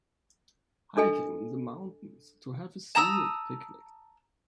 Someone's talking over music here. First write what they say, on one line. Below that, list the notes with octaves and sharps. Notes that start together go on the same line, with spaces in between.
Hiking in the mountains to have a scenic picnic.
D4 A4 D#5 G#5
A5 A#5 D#6 E6